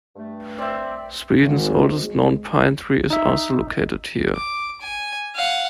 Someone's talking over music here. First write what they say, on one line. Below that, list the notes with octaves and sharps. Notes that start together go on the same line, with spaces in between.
Sweden's oldest known pine tree is also located here.
G2 A3
C4 D5 E5
G#1
G#3
D#4 E5
D6
G#5
F5 F#5